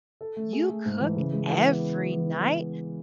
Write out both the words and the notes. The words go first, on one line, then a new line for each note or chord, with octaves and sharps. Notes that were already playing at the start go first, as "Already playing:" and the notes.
"You cook every night?"
A4
A3
G#4
A3
G#2
E3
C#3
G#3
E3
B3